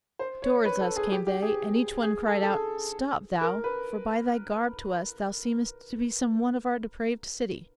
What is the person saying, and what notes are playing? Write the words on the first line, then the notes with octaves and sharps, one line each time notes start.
Towards us came they, and each one cried out: "Stop, thou; for by thy garb to us thou seemest To be some one of our depraved city."
C5
C#5
B4
A4
G#4
G4
G4
G#4
G#4
A4
A4
G#4
A#4
B4